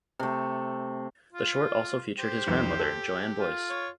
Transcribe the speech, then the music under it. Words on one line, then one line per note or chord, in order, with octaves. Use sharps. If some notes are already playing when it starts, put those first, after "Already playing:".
The short also featured his grandmother, Jo Ann Boyce.
C3 A3
F4
G4 C5
C2 F2 D#3
A4
F4
C#5